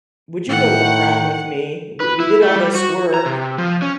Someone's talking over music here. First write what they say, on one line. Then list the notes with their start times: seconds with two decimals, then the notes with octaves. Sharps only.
"Would you go to the prom with me? We we did all this work,
0.49 A2 D#3 F#5 G5
2.00 B4
2.20 E4
2.42 A3
2.56 G3
2.75 F#4
3.14 A#5
3.26 C3
3.58 F3
3.82 C#4